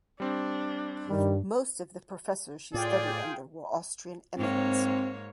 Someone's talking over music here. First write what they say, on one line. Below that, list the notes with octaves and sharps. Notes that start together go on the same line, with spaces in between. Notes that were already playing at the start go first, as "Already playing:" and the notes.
Most of the professors she studied under were Austrian emigrants.
G3 C4 D4
G2 D#3 G3
A2 F4 G#4 D5 G5
G#2 A#3 C4 C#5